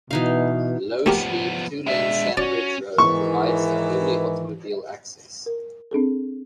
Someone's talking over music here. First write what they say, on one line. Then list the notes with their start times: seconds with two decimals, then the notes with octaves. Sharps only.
Low speed, two-lane Sandbridge Road provides the only automobile access.
0.11 B2 E3 D#4 F5
1.06 F3 A3 B3 G4 A#4
1.87 G#3 D4 E5
2.37 C#4 F#4 D5
2.98 G#2 D#3 E3 C#6
5.46 A#4
5.91 C4 D4 G#4 A4